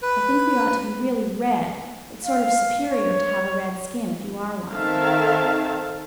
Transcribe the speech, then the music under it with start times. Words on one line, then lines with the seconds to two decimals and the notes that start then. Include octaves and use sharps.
'I think we ought to be really RED - it's sort of superior to have a red skin, if you are one.'
0.02 B4
2.25 F5
2.89 C#5
4.73 D#3 C4 A4 E5 F5 A5